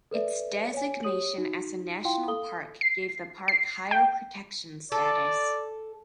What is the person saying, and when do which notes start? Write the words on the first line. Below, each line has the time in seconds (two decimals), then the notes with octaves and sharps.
Its designation as a national park gave the park higher protection status.
0.11 A4 B4 D5 E5
0.73 C#5 G#5
1.03 G4 C#5 D#6 D#7 F#7
1.38 D#4 F#4
2.05 E4 F4 F5 G5 C6
2.28 A4 F5 D#6 G7
2.81 C7
3.48 C7
3.91 G5
4.92 A4 D5